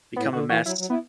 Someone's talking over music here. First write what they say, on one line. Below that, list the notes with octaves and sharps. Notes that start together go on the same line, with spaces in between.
become a mess.
A2 B3
D3 F#4
E3 F#4
F#3 E4
F#3
B3 E4